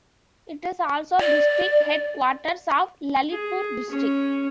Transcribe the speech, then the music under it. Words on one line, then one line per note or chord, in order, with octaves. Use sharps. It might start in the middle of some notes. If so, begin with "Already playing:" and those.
It is also district headquarters of Lalitpur district.
D5
G#4
C#4